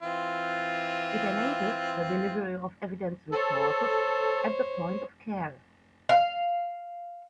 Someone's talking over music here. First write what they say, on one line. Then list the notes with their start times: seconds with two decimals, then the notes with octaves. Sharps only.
It enables the delivery of evidence resources at the point of care.
0.02 E3 C4 F4
3.32 A4 C5 C#5
6.09 F5